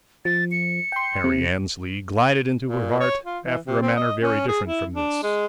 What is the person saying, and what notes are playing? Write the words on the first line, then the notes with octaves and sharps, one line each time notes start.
Harry Annesley glided into her heart after a manner very different from this.
F3 A6
C#7
G5 C6
C3
A#2
C#5
F4
E3
C3
C4
D#5
C#4
G#4
E4
D4
G#3